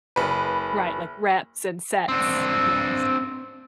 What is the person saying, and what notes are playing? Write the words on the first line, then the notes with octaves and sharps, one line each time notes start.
Right, like, reps and sets, yes.
F#1 B4
C4 D4